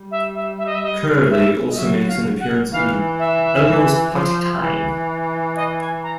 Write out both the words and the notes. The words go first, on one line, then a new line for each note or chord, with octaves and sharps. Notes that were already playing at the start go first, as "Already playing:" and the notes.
Curly also makes an appearance in "Elmo's Potty Time".
Already playing: G3
E5
E5
E5
D#5
E5
D#5
E5
D#5
F#3 E5
F5
F#5
E3 F5
E5
E3
F3
E3
D#5
G#5
A#5